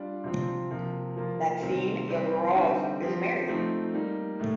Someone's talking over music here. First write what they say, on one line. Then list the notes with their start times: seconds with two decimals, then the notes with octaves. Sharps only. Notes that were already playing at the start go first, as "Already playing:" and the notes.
Maksim Yegorov is married.
Already playing: G3 D4 F4
0.24 C3 F3 C4 F4
0.71 C3 F3 A#3
1.16 F3 A#3 F4
1.63 C3 D#3 G3 C4
2.08 G3 C4 G4
2.55 D3 G3 C4 D#4 G4
3.02 F3 C4 G4
3.48 F3 A3 C4 D#4
3.93 G3 A#3 D#4
4.39 A2 A3